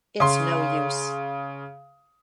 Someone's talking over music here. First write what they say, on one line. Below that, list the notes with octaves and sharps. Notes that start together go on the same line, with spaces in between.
It’s no use.
C#3 C6